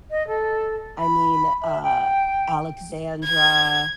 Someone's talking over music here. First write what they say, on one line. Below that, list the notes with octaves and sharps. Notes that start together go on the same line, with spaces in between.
I mean, uh, Alexandra,
D#5
A4
B5
E5
G5
G#6